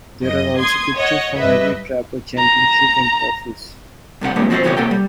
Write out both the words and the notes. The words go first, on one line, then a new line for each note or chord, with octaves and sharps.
There are also pictures from every Trapper championship and trophies.
F#2 D#5
C6 D#6 G#6
C#5 D#5 F#5
G2 B4 D#5 E5
A#5
G2 C3 A4 F#5
F2 G3 G#3 A#3 B3 D4
F3 C4 F#4 G4 A4 C5
F2 C#3 E3 B3 G4 C#5
C3 A#3 A4 F#5 G5
G3